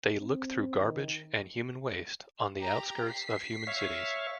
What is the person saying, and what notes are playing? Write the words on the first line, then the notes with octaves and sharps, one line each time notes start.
They look through garbage and human waste on the outskirts of human cities.
C4
D#3
G4 A#5
B6 C7
C#5 E5 F5